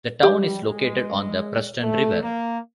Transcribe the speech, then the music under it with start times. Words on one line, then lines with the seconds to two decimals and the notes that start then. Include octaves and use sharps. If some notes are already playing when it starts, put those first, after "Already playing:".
The town is located on the Preston River.
0.23 G3 G4
0.62 G#3
1.82 A3
2.22 A#3